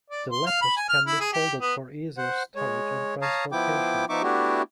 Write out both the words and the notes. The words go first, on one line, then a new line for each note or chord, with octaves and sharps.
The Lepus can be folded for easier storage and transportation.
D5
C6
F5
B5
G#5
F6
E4
G#4
G4
B3
C5 F#5
G#3 C#5
C#5 F5 A5 A#5 D#6
F3 B3 E4 G5 D6
F3 B3 D#4 E5 C#6 D6
A3 B3 D4 E4 F#4 G4